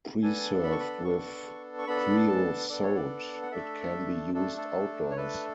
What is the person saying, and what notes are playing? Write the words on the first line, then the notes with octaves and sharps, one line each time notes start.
Preserved with creosote it can be used outdoors.
B3 D4 A4 G#5
B5
C#6
B5
B3 D4 A4 C#6
C#6
B3 D4 A4 B5
A5
B3 D4 A4 D5
C#5
D5
F#5
A3 D4 A4 E5
A3 D4 A4
A4
C#5
A3 D4 A4 B4